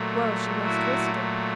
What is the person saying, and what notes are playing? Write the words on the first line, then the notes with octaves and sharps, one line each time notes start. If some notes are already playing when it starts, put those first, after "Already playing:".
Well, she must risk it.
Already playing: A#2 F#3 A3
E4 F#4